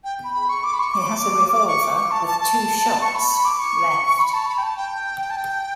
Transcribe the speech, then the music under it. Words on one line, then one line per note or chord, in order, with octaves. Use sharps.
He has a revolver, with two shots — left.
G5
B5
B5
C#6
D6
B5
C#6
D6
D6
C#6
D6
C#6
A5
A5
A5
C#6
B5
B5
D6
C#6
B5
A5
B5
G5
A5
G5
A5
G5